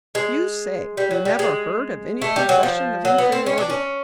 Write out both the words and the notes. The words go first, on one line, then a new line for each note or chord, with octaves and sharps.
You say you never heard of any confession of inferiority.
G#3
G3
F#3
G3
G#3
A3
G3
F#3
F3
F#3
B3
C4
C#4
D4
C#4